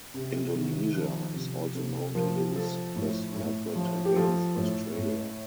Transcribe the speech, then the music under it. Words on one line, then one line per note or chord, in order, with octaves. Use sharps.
Indonesia is also known to use this method against Australia.
C3
D#3
F3
C3
C3 A4
A4
F3 A#4
G4
F3 A4
A2
A2
F3
G4
F3 A4
A2
A2